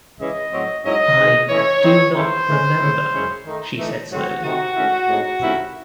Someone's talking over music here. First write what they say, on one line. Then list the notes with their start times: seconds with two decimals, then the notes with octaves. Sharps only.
"I do not remember," she said slowly.
0.19 C#3 E3 G#3 C#4 E4 D#5
0.52 A2 F#3 C4
0.85 G#2 F#3 C#4 E4 D#5
1.17 D#3 G#3 C4 D#4
1.49 E3 A3 C#4 E4 C#5
1.82 C#3 E3 C4 D#4
2.15 C#3 E3 A3 C#4 E4 C5
2.47 A2 E3 G#3 C#4
2.80 A2 G#3 C#4 E4
3.13 F#2 C#3 G#3 C#4 E4
3.45 D#3 A3 D#4
3.78 E3 A3 D#4
4.10 G#2 D#3 F#3 A3 C4 F#4
4.43 C3 D#3 A3 C4 F#4
4.76 G#2 D#3 A3 C#4 E4
5.08 A2 G#3 C4 D#4
5.41 C3 D#3 A3 C#4 E4